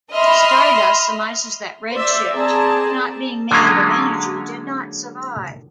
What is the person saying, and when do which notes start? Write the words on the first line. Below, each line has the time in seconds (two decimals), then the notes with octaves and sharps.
Stardust surmises that Red Shift, not being made of energy, did not survive.
0.12 D#5 E5 B5 C6 F6
1.94 C5 D5 E5
2.34 C4 G#4 D5 A5 A#5
3.51 D3 F#3 G#3 A#3 C#4 F4